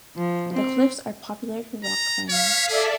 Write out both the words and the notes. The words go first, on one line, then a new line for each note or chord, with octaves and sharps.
The cliffs are popular for rock climbing.
F3
C4
A#5
C#5 F5 B6
G#4 A4 D5 E5